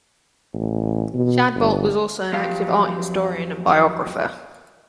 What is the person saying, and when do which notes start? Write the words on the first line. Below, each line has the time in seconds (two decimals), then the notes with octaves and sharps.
Shadbolt was also an active art historian and biographer.
0.54 A1
1.14 B2
1.55 G1
2.33 F2 F#3 G4 F5